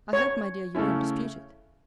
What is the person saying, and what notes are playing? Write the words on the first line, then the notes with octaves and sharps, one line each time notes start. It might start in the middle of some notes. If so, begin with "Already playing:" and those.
I hope, my dear, you won't dispute it.
C#5
C#3 A3 C#4 E4